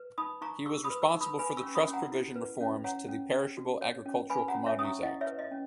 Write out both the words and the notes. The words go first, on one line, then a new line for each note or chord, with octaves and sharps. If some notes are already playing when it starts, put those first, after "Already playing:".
He was responsible for the Trust provision reforms to the Perishable Agricultural Commodities Act.
Already playing: B4
D#4 B5 D#6
D#4 A#5 C#6
G#4 C#6 E6
B5 D#6
B4
C#6 E6
D#4
B5 D#6
B4 G#5 B5
C#6 E6
C#4
B5 D#6
C#4
F#5 A#5
E4
B4
C#4
C#5 F#5 A#5
C#4
C#4
F#4
C#5
C#4
B4 G#5 B5
F#5 A#5
C#4
C#5 E5
C#4 D#6
A#5 C#6
E4 D#5 F#5
C#5 E5
B4
D#5
C#4